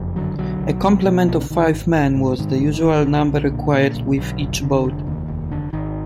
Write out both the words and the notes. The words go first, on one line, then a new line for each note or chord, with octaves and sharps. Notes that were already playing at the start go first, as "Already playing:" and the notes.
A complement of five men was the usual number required with each boat.
Already playing: F#1 F2
D3 F#3
B1 F#3
B1
B2
B2 F#3
B1 F3
D3
B1 D#3
G#1
G#1
G#2
D3
G#2 D#3
G#1
D#3
G#1
B1 D3
B1
A#2
A#2
B1
B1
F1
D3
F1
D#2
F1
D3
G#1 D#3